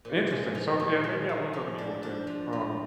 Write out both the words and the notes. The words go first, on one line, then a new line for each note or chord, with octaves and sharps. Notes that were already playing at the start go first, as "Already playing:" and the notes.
Interesting. So, yeah, maybe I will go to New York then. Um,
A#2 C5
G#3
F3
A#2
G#3
G#3
F3 C5
D4 D5
D4 C5
F3 F4
F3